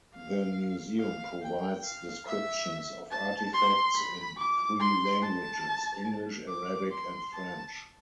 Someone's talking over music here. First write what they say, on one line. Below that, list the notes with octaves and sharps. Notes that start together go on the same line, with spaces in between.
The museum provides descriptions of artifacts in three languages: English, Arabic, and French.
F5
F5
G5
F5
E5
A5
C6
B5
D6
C6
A5
D6
C6
A5